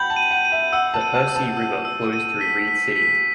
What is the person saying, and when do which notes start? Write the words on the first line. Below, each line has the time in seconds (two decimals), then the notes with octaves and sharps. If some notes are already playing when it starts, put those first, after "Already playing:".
The Hersey River flows through Reed City.
Already playing: F#5 G5 B5 G6 F#7
0.10 A5
0.16 D#7
0.31 F#5
0.45 D#7
0.52 E5
0.73 F#5 E6
0.94 A5
1.01 D#7
1.15 A5
1.28 E6
1.36 A5
1.57 E6
1.85 E6
2.13 D#7
2.41 B6
2.68 B6
2.96 B6